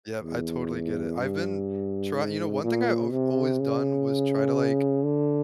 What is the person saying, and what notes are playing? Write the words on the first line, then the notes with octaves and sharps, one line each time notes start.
Yeah. I totally get it. I've been try you know, one thing I I've always done was try to, like,
E2
G2
G#2
A#2
C3
C#3
D3